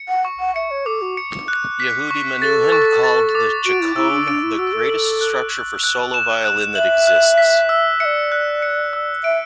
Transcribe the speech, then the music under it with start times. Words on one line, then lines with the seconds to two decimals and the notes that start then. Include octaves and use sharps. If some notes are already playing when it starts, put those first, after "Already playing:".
Yehudi Menuhin called the Chaconne "the greatest structure for solo violin that exists".
Already playing: C#7
0.09 F#5
0.25 C#6
0.40 F#5
0.55 E5 C#7
0.71 C#5
0.86 A4 D6
1.02 F#4
1.17 C#7
1.48 F#6
1.80 B6
2.11 C#6
2.41 A4 A6
2.72 C#6
3.03 A6
3.35 D6
3.66 F#4 D7
3.81 E4
3.96 E4 E6
4.12 D4
4.27 D4 D7
4.43 E4
4.59 F#4 E6
4.74 A4
4.89 F#7
5.21 F#6
5.52 F#7
5.83 F#6
6.14 E7
6.44 F#6
6.75 E5 F#7
7.07 F#6
7.38 B6
7.69 E6
8.00 E5 C#7
8.05 D5
8.32 F#6
8.62 C#7
8.93 E6
9.24 E5 D7